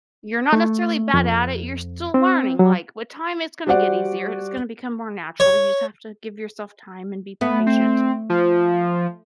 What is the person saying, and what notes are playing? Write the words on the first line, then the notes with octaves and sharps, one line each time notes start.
you're not necessarily bad at it, you're still learning, like, with time, it's gonna get easier, it's gonna become more natural, you just have to give yourself time and be patient.
A3
F2
C4
F#3
G3 F#4 C5 D5 F#5
C#5
A3 B3
C4
F3